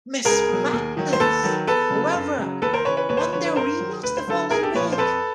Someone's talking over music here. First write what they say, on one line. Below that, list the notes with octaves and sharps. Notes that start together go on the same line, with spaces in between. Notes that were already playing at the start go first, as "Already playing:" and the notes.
Miss Madness, however, won their rematch the following week.
C#2 G#4 A#4
B2 F#3
D#2
D#3 F#3
C5
D#2 A4 B4
D#3 F#3
E2 A4 B4
C#3 F#3
F#2
C#3 F#3
D#2 A4 B4
A#4 C5
C#3 E3 B4 C#5
B4 C#5
D#2 B4 C#5
C5
B4 C#5
D3 F3 B4 C#5
B4 C#5
G2 A#4 C5
D#3 F#3
D2 B4
C5
D3 F#3 A4 B4
C2 G#4 A#4
G4 A4
A#2 F3 B4 C#5
C5
F2 A4 B4